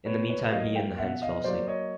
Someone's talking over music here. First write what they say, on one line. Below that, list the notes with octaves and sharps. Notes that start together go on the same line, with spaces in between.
In the meantime, he and the hens fell asleep.
B2 B4 C#5
B4 C#5
F#3 A#3 D#5 F5
F5 G5
B2 E5 F#5
D#5 F5
F#3 A#3 C5 D5
C#5 D#5